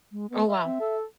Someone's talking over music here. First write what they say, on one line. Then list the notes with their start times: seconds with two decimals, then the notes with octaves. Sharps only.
Oh, wow.
0.12 G#3
0.30 B3
0.47 E5
0.66 C4
0.80 A4